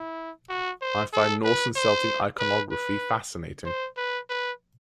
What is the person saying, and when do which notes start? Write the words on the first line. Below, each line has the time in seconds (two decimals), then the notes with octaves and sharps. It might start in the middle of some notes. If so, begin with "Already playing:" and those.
I find Norse and Celtic iconography fascinating.
Already playing: E4
0.49 F#4
0.82 C5
1.13 A4
1.45 B4
1.76 C5
2.39 B4
2.71 B4
3.65 C5
3.97 B4
4.29 B4